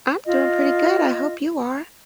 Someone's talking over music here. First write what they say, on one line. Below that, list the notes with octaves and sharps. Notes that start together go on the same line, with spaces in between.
I'm doing pretty good, I hope you are.
F4 D#5